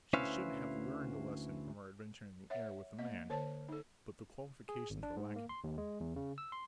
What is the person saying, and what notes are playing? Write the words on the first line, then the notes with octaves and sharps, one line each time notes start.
She should have learned a lesson from her adventure in the air with the man, but the qualifications were lacking.
D2 C#4 E4 B4 C5 F5
C#5 E5 F#5
A#3 D#5
D3 C5 C#5 A5
D#4 A4
G#4
G#1
D4
G#2
A#3
C6
D#2
G#3
E2
C#3
E6
C6